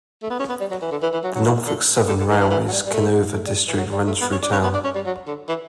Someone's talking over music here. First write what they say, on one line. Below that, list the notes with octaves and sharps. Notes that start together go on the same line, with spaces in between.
The Norfolk Southern Railway's Kenova District runs through town.
A3
B3
C#4
B3
G3
F#3
E3
D3
E3
E3
F#3
F#3
E3
D3
D3
D3
E3
E3
E3
F#3
G3
G3
A3
A3
G3
E3
F#3
G3
A3
B3
C#4
D4
C#4
B3
D4
C#4
G3
F#3
D3
E3